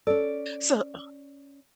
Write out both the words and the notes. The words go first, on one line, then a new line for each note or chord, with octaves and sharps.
So, oh
C#4 A4 D5